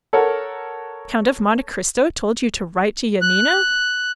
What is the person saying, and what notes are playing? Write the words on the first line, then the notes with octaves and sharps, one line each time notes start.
"The Count of Monte Cristo told you to write to Yanina?"
A4 A#4 C#5 F#5
F#6